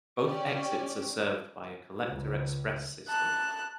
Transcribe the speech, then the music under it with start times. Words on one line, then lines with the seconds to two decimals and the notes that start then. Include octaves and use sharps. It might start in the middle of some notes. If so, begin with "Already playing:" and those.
Both exits are served by a collector-express system.
0.22 C#4 G4 D5
2.07 C#2
3.08 A5 F#6